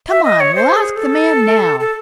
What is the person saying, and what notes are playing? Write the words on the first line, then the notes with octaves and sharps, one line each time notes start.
"Come on, we'll ask the man now."
E5
D#5
C#5
C5
G#4
A4
A4